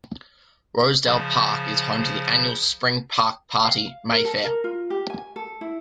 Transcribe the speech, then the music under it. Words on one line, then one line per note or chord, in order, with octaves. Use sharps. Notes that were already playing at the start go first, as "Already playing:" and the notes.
Rosedale Park is home to the annual spring park party, Mayfair.
C#3 F3 C5
F5
A#4
A4
A#4
F4
G4
G#5
A4
E4